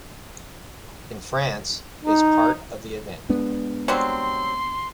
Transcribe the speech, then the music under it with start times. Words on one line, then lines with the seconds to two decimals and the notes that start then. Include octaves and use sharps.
In France, is part of the event.
2.05 D#4
3.30 G#3 B3 D4
3.88 F#3 G3 C4 C6